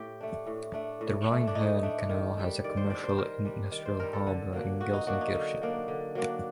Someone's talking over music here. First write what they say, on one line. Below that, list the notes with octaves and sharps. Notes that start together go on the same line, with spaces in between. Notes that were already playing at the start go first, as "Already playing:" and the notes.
The Rhine-Herne Canal has a commercial-industrial harbour in Gelsenkirchen.
Already playing: A2 G4
A3 D4
A2
A3 D4
A2
A3 D4
D4
A2 D#4
A3 D4
D#3
G3 D4
D#3 D5
C5
G3 D4 D5
C5
D#3 A#4
G3 D4
D#3 D5
C5
G3 D4 A#4
A4
D3
F#3 A#3 D4
D3 F#4
D#4
F#3 A#3 D4 F#4
D#4
D3
F#3 A#3 D4
D3
F#3 A#3 D4